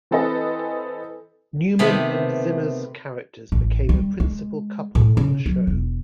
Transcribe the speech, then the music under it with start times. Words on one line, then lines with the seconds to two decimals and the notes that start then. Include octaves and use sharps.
Newman and Zimmer's characters became a principal couple on the show.
0.11 E3 C4 A4 B4 D#5
1.79 C3 D#3 A3 B3 G4
3.52 A1
3.89 G3
4.20 G#3
4.95 A2
5.17 C#3
5.46 F#3
5.67 E1